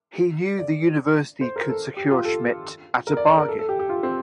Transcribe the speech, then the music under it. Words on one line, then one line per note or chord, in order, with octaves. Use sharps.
He knew the University could secure Schmidt at a bargain.
D5
C5
A#4
A4
G4
F4
A4
A#4
D5
D5
A#4
A4
A4
G4
G4
F4
C4